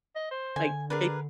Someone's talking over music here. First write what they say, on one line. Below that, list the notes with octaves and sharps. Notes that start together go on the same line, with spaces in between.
like, they
D#5
C5
D3 G#5
D3 D4 G#4 A#4 B4